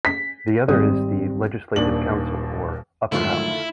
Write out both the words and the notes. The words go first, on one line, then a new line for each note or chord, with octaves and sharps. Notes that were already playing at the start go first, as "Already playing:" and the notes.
The other is the Legislative Council or Upper House.
B6
G#1 G3 C4 D#6
D#1 D#2 D4 F#7
F2 G#2 D3 D#3 F#3 A3 E4 F4